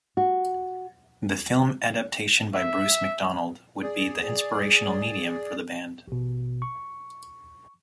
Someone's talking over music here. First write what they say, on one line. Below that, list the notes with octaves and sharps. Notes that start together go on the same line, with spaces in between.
The film adaptation by Bruce McDonald would be the inspirational medium for the band.
F#4
E5
G#4 D5
A1 B2
C#6